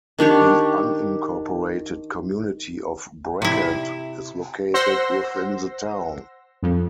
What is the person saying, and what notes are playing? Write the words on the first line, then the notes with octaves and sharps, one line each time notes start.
The unincorporated community of Brackett is located within the town.
D#3 D4 G4 C#5
C3 E4
C5 F#5 C6 E6 A#6
F2